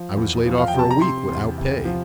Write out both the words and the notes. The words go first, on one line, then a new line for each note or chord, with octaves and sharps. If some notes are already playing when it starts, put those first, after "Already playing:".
I was laid off for a week, without pay.
Already playing: F3
E2
F3
F5
G5
C3
A5
A#5
C3 C6
E2
C3
F3